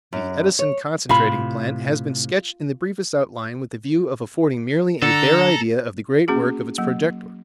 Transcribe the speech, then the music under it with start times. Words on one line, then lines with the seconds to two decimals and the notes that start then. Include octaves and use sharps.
The Edison concentrating plant has been sketched in the briefest outline with a view of affording merely a bare idea of the great work of its projector.
0.13 F#2
0.59 C#5
1.09 A2 C3 F4 B5
5.02 D3 A4 A#5
6.28 A#3 C#4 F#4 G#4
6.78 F#3 A#3